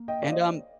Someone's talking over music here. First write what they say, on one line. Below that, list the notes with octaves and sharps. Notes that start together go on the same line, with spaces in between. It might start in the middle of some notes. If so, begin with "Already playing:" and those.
and, um,
Already playing: A#3
D#5 G5
D5 F5
C5 D#5